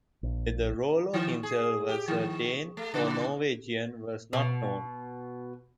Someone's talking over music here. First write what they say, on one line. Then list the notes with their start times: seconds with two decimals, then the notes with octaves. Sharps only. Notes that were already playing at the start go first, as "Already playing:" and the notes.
Whether Rollo himself was a Dane or a Norwegian is not known.
0.23 A#1
1.14 D#3
1.43 G#4
1.89 G4
2.08 D#3
2.77 A3
2.94 C#3
4.33 B2